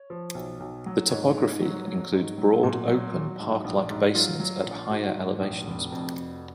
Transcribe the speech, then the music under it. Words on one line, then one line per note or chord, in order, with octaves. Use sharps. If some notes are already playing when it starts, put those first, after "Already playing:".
The topography includes broad open park-like basins at higher elevations.
Already playing: C#5
F3
B1
B1
F#3
G#2 C#5
G#2
F#3
F#3
G#2
F#3
A#2 F#4
F#3
F#3
G#2
A#1
G#2
F#3 F4
F#3
A#1
G#2 F#4
G#2
A#1
F1
F2
F1